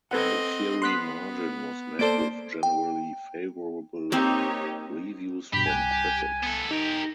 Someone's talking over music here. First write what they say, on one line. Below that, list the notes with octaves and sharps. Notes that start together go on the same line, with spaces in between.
The Fiery Margin was met with generally favorable reviews from critics.
C4 A4 B4 D#5 F#5
B3 C6 F#6 B6
A#3 A4 C5 D5 D7
G5
A#3 C4 D#4 G4 C#5
G2 B2 G4 B5
C2 G#5 F#6
B3 A4
D#4 G4 A#4